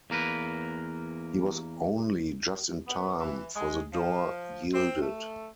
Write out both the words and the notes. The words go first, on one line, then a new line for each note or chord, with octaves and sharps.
He was only just in time, for the door yielded.
E2 A#3 A#4 B4
B3
E3
G#3
F3
C4
A3